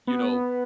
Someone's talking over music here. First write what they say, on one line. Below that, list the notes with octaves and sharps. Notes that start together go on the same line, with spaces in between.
you know,
B3